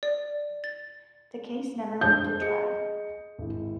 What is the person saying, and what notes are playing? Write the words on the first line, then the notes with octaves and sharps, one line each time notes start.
The case never went to trial.
D5
A6
D4 C5 G6
G#4 D#5 C#7
G#1 E4